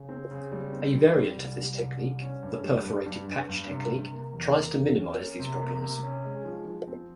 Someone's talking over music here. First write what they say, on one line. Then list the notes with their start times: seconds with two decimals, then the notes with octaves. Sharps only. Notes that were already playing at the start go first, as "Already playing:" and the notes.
A variant of this technique, the "perforated patch" technique, tries to minimise these problems.
Already playing: C#3
0.09 C4
0.31 C#3
0.52 G3
0.73 C4
0.94 G3
1.15 G3
1.37 C2
1.57 G3
1.79 C2
2.00 G3
2.21 C#4
2.43 G2
2.64 G3
2.85 G2
3.06 G2
3.28 G2
3.49 G2
3.69 C3
3.91 C3
4.12 A#3
4.33 E2
4.54 A#3
4.76 E2
4.97 C#4
5.18 A#3
5.39 C3
5.60 A#3
5.81 C3
6.03 C#4
6.24 G#3
6.45 F3
6.66 F3
6.88 C4